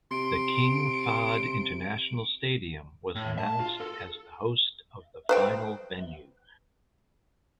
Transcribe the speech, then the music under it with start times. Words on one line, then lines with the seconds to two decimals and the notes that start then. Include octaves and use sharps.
The King Fahd International Stadium was announced as the host of the final venue.
0.11 C3 C6 D7
3.15 A2
3.38 A5
3.60 F4
3.80 A4
5.29 B4 C5 G5